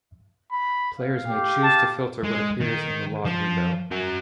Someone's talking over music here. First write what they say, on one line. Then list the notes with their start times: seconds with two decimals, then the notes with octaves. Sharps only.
Players may choose to filter what appears in the log window.
0.52 B5
0.99 F5
1.28 G4
1.63 A5
2.24 G#3
2.61 D#3
3.25 F3
3.92 F#4 A#4